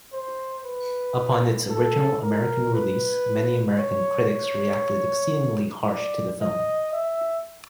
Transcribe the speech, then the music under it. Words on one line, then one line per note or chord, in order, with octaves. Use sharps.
Upon its original American release many American critics reacted exceedingly harsh to the film.
C5
B4
A4
A#4
B4
C#5
C#5
D5
D#5
E5